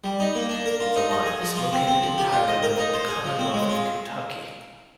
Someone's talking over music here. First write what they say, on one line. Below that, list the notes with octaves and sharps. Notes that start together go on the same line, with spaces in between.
The line is located entirely within the Commonwealth of Kentucky.
G3
D#4
A#3
D4
A#4
F4
D#4
D#5
G#4
F3
F4
C4
C4
F3
G4
F4
D#5
A#4
D#4
C5
G#4
F3
C4
G#3
F4